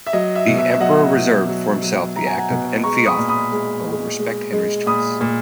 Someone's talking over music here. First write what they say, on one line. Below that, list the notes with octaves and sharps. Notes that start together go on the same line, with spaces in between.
The emperor reserved for himself the act of enfeoffment but would respect Henry's choice.
E5
F#3 D#5
E5
B2
E5
F#3 D#5 F#5
B2
F#3
F#3
F#3 A#5
G#5
F#5 A#5
B2
G#3 A#5 C#6
B5 D#6
A#2
B5 D#6
G#3
G#3
G#3
G#3
A#2 B5 D#6
A#2